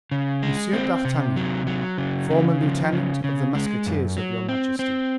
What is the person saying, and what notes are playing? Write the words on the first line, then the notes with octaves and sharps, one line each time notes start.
"Monsieur d'Artagnan, formerly lieutenant of the musketeers of your majesty."
C#3
G#3
C4
C3
F#3
F#3
C#3
C#3
F3
C#3
C#3
G#3
F#2
F#3
C4
C4